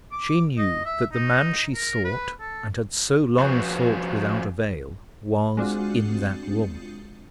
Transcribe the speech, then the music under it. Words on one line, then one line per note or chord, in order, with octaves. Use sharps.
She knew that the man she sought, and had so long sought without avail, was in that room.
D6
D#5
E5
D#4
A#4
B4
A4
F3 C#4 F#4 G#4 B4 C5
G#3 C4 D4 F4 F#4